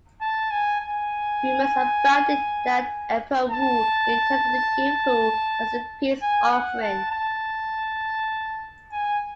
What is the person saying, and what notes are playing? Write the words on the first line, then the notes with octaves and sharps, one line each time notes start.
Rumors abounded that Emperor Wu intended to give Hou as a peace offering.
A5
G#5
G#5
A5
G#5
F#5
A5
A5
G#5